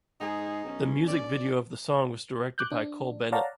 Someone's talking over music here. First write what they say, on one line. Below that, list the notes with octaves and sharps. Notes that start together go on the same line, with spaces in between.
The music video of the song was directed by Cole Bennett.
G#2 D#4 G#4
B1 C#4
D5
D6 F#6 G6
D4
C#5 D5 F5 F#5 A5 A#5